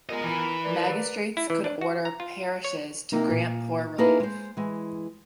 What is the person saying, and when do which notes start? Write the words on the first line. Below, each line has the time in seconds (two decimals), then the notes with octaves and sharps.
Magistrates could order parishes to grant poor relief.
0.09 G#3 B3 F4 A#4 D#5
0.23 E3
0.64 A#4 B4 D5
1.37 E4
1.50 E3
1.64 D4
1.81 F#4
2.05 A#5
2.20 F4
2.65 C#5
3.12 C3 A#3 D#4
3.30 A#2
3.98 A#3 D#4 E4 G#4 A4 B4
4.20 G#3 C5
4.57 E3 G#3